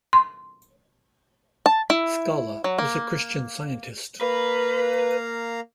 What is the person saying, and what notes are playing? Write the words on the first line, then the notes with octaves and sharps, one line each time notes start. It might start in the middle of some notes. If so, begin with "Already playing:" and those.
Skala was a Christian Scientist.
C6
A5
E4
F#3
A#3
A#3 B4 F5 A#5